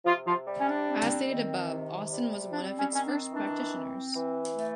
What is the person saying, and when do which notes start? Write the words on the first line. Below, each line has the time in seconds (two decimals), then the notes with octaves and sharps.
As stated above, Austen was one of its first practitioners.
0.05 C3 F3 F4
0.25 F3 F4
0.46 G3
0.58 C#4
0.67 D4
0.88 C4
1.28 D#3
1.69 C3
2.10 G3
2.51 C4 D4
2.78 C#4
2.92 D#3 C#4
3.05 D4
3.32 E3 D4
3.73 C4
4.15 E3
4.54 A3